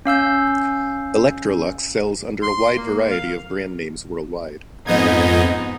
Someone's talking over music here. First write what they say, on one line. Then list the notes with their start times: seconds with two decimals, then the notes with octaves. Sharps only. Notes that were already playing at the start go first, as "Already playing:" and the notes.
Electrolux sells under a wide variety of brand names worldwide.
0.06 C#4 F5 E6 G6
2.42 C6
2.76 A#3
3.11 F5
4.87 F2 G#2 B3 D#4 D#5 G#6